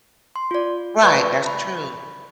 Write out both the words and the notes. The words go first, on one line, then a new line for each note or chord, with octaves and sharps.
Right, that's true.
C6
F4 D5
B4 D5 C#6
B5